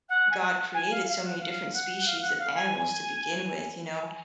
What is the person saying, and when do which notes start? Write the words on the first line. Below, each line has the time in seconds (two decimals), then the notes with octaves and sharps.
god created so many different species of animals to begin with, you know,
0.08 F#5
0.30 G#5
0.41 F#5
0.74 G#5
0.90 F5
1.06 F5
1.24 F#5
1.39 F5
1.73 F#5
1.98 F#5
2.05 F5
2.21 F#5
2.38 F5
2.54 G#5
2.71 G#5
4.02 G#5